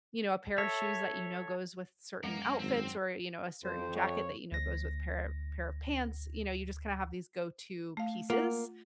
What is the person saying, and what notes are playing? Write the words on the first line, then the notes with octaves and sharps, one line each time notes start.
you know, a pair of shoes that you know goes with certain outfits or, you know, a certain jacket that you know goes with pair of pair of pants, you know, you just kinda have these go-to pieces,
A4 C#5 E5
F#2 G#3 A#3 A#4 F#5 A#5
G#1 C4
F2 C5
C#5
D2 A#6
A3 F5
A#3 F4 F#5